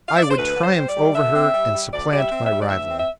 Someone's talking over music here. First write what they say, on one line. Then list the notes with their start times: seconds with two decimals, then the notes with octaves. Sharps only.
"I would triumph over her, and supplant my rival."
0.08 F5
0.16 E5
0.22 D5
0.30 C5
0.37 D2 B4
0.56 D3
0.63 C5
0.75 G3
0.88 D5
0.95 G3
1.14 D3 E5
1.34 C4
1.53 G3
1.73 G3
1.91 D2 D5
2.11 G3 D5
2.18 E5
2.31 C4
2.44 E5
2.51 G3
2.61 D5
2.69 D2 E5
2.89 C4
2.98 E5